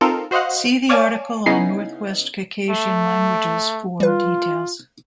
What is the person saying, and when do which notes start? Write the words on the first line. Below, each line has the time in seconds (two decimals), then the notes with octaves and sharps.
See the article on Northwest Caucasian languages for details.
0.01 C4 D#4 F4 A4 A#4
0.31 F#4 C5 D#5 F5 F#5
0.89 C#5 D5 F5 G#5 A5
1.46 C#3 B3 C#4 D#4 E4 C7
2.70 A3
4.00 G3 F4 B4